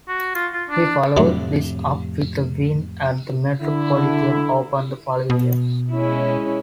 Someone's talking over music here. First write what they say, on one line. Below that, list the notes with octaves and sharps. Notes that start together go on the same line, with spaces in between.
He followed this up with a win at the Metropolitan Open the following year.
F#4
F4
F4
D4
F2 A2 C3 F#3 A3 D4
D3 E4
B2
G#3 C#4 E4